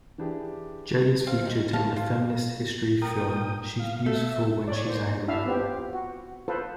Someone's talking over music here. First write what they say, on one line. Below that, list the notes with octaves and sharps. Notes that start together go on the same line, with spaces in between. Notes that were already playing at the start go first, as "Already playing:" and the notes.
Jay is featured in the feminist history film "She's Beautiful When She's Angry".
E3 D4 G4 G#4
C4 F5
D#4
F5 A5
F4
A#2 A#4 G5 D#6
F5
A3 E5
C#5 D5
A#3 C5
D4 E4 E5 F5
B3 C4 F4 G4
F#4
F4 A4 B4 C5